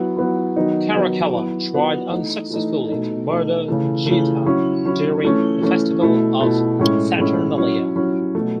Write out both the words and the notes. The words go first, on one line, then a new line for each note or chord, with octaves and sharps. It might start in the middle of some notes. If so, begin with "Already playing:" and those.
Caracalla tried unsuccessfully to murder Geta during the festival of Saturnalia.
Already playing: F#3 B3 E4
F#3 B3 E4
D#3 F#3 B3 D#4
D#3 F#3 B3 D#4
F#3 B3 E4
F#3 B3 E4
E3 A3 D#4
E3 A3 D#4
B2 A3 D#4
B2 A3 D#4
C#3 E3 A3
C#3 E3 A3
F#3 C#4 E4
F#3 C#4 E4
E3 A3 C#4
E3 A3 C#4
B2 A3 E4
B2 A3 E4
A2 G#3 C#4 E4
A2 G#3 C#4 E4
F#3 C#4 E4
F#3 C#4 E4
B2 F#3 A3